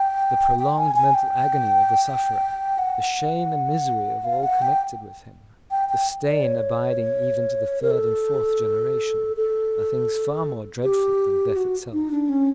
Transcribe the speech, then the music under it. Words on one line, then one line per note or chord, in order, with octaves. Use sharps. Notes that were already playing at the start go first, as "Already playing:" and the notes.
The prolonged mental agony of the sufferer, the shame and misery of all connected with him, the stain abiding even to the third and fourth generation, are things far more dreadful than death itself.
Already playing: G5
G5
G#5
G#5
G5
F#5
F5
F#5
G5
G5
G5
D5
C#5
A#4
A4
A4
G4
F#4
D#4
D4
C#4